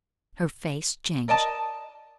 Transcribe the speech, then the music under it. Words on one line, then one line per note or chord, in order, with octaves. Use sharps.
Her face changed.
A#4 D5 D#5 A5